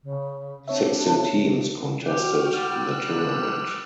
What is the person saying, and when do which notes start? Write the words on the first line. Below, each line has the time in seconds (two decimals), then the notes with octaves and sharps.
Sixteen teams contested the tournament.
0.03 C#3
0.68 C4 D4 C#5 E5
2.07 F#4 G4 G5 F6
2.53 G3 E6 F#6
2.97 G3